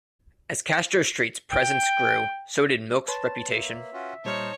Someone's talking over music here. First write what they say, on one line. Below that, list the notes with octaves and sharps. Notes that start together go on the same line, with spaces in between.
As Castro Street's presence grew, so did Milk's reputation.
G5
B4 C#5 A5 C6
A#3 E5
C#4 F4 F#4
A#2 G3 D#4 C5 C#5 A5 F6